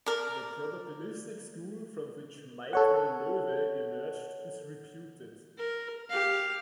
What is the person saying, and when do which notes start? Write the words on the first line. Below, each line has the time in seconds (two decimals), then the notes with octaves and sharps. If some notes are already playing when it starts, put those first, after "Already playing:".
The probabilistic school from which Michel Loève emerged is reputed.
0.06 A#4 D5
2.73 A4 C#5 F#5
5.58 A#4
6.09 G4 F5